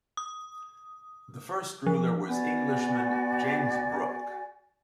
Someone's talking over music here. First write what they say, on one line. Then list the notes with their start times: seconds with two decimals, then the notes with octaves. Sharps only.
The first ruler was Englishman James Brooke.
0.17 D#6
1.87 F3
2.29 B3 F#4 D5 G#5